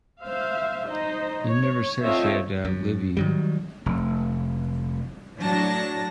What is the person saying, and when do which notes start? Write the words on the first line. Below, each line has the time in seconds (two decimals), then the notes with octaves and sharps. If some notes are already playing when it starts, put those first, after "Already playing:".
You never said she had to outlive you.
0.22 C5 E5 F5
0.86 D#4 C5 D#5
1.43 C#5
2.03 C4 F4 A4 C#5 D#5 E5
2.65 F#2
3.17 D#3 F#3 G3
3.86 F1
5.40 A2 F#3 D4 A5 A#6